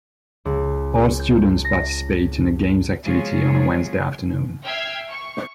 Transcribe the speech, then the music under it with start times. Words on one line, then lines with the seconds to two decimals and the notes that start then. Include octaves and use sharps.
All students participate in a games activity on a Wednesday afternoon.
0.45 C#2
1.20 G6
1.65 A#6
3.04 F3 F#3 G#3 F4 G#4 C#5
4.65 E5 G5 F6 G#6 C7
5.10 C#6